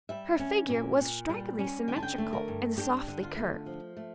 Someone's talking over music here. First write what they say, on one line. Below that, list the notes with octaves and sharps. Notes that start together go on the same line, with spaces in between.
Her figure was strikingly symmetrical and softly curved.
G3 E5
C#4
A#2
A#2
G3
C#4
D3 G5
A5
G5
A3
A#4
G2
D4 G4
D3
F4
A3
F3
A3